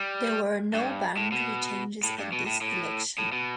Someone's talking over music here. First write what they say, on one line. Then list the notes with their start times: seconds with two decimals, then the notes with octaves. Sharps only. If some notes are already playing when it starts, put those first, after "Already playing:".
There were no boundary changes at this election.
Already playing: G3
0.74 G2
1.17 A2
1.32 B2
2.03 A2
2.18 G2
2.32 B2
2.46 A2
2.61 A2
3.18 A2
3.32 B2